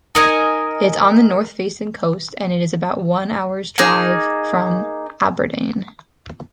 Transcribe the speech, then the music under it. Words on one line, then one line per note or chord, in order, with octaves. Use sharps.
It is on the north-facing coast and is about one hour's drive from Aberdeen.
D#4 A#4 D#5 G#5
A#3 D#4 G#4